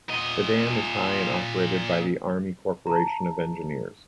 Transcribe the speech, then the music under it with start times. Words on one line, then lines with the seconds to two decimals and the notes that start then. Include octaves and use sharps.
The dam is high and operated by the Army Corporation of Engineers.
0.09 A#2 D#5
2.87 A5 A#5